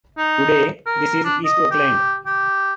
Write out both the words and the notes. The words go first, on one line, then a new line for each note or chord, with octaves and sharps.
Today this is East Oakland.
D#4
A#4
D4
D#5
G4
G4